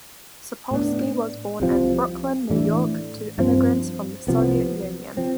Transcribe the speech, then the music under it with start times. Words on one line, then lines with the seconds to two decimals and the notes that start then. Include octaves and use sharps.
Sapolsky was born in Brooklyn, New York, to immigrants from the Soviet Union.
0.71 A2 F3 B3 D4
1.60 C2 C3 F3
2.50 A2 E3 A3 D4
3.38 G2 F3 C4
4.27 C2 C3 F3 B3
5.17 F3 C4